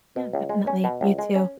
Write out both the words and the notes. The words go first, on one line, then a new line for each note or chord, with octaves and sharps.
Yeah, definitely, you too.
B2
C#2
G#3
C#4
B2
C#2
G#3
C#4